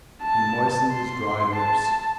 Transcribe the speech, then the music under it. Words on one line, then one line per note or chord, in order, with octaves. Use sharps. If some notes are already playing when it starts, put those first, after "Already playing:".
He moistened his dry lips.
A5
C6
A5